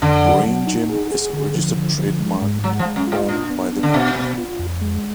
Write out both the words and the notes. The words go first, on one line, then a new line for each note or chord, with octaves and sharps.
"Brain Gym" is a registered trademark owned by the company.
F2 D3
F#3
F#3
D#4
G#4
G#4
D3
F3
D3
F3
G#3
G#2
F#3 G#3
F3
G#3
F#2
G#2 F4
A#2 D4
B3
D4
D3
B2 B3
B3
F4
F2
G#3